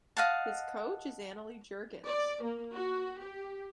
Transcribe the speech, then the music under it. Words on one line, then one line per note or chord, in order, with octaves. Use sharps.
His coach is Annelie Jürgens.
D#5 F5 F#5 A5
D5
A#3
F#4
G4